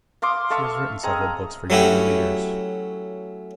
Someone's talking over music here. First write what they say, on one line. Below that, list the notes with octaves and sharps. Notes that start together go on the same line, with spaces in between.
She has written several books for younger readers.
F5 C6 D6 D#6
A4 E5 F5 C#6
C4 G#4 D#5 A#5
F#3 A3 C#4 E4 F#4 G4